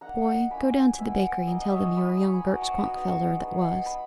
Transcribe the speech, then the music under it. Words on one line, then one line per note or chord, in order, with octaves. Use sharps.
Boy, go down to the bakery and tell them you are young Gert Schwankfelder that was.
A#3 D#4 F#5 A#5
A#3 C#4 E4 G#5 B5
G#3 B3 E4 E5 G#5
A#3 D#4 D#5 F#5
D#5 F#5
C#5 E5
A#5 C#6
G#3 C#4 E4 B5 D#6
B5 D#6
A#5 C#6
G#5 B5
F#3 B3 D#4 F#5 A#5
A#5 C#6
B5 D#6
G#3 B3 D#4
G#3 B3 D#4
B5